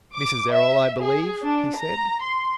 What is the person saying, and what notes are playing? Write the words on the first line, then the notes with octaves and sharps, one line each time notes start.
"Mrs. Errol, I believe?" he said.
D6
E5
G#4
D4
A#5
C6